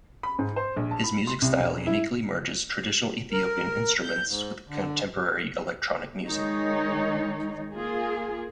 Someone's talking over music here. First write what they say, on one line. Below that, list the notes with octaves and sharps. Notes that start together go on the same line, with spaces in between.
His music style uniquely merges traditional Ethiopian instruments with contemporary electronic music.
B5
G#2
C5
A#1
A5
B5
C6
C2
E1
E4
A#4
G6
G#2
D3
D#3 G#3 D#4 C#5
A#3 F4 G#4